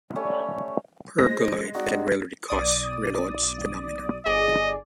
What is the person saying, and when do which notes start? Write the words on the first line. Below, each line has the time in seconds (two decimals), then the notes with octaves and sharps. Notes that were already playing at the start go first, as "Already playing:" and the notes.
Pergolide can rarely cause Raynaud's phenomenon.
0.15 G3 A3 C#4 C#5
1.18 G#3 C5 A#6
1.75 C4 D#4 F#4 D5
2.48 B1 D5 D#6
4.26 G1 G#4 D5 D#5